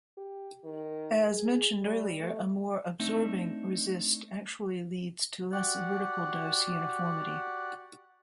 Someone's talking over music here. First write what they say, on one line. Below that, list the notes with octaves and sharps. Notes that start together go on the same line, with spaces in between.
As mentioned earlier, a more absorbing resist actually leads to less vertical dose uniformity.
G4
D#3
G#4
G3
A3
A3 C4 D4 D#4 E5
F#4 G4 D5 F#5